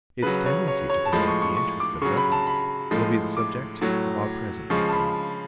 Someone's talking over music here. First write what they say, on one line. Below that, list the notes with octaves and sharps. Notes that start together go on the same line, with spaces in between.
Its tendency to promote the interests of revenue will be the subject of our present inquiry.
C#3 F#3 B4
C#5
C#5
C#5
A5
A2 F3 G#3 B5
C#6
C#6
C#6
D6
C#3 F#3 C#6
B5
A5
B5
A2 F3 G#3
D6
A2 F#3
C#3 F3 G#3 C#6
A5
B5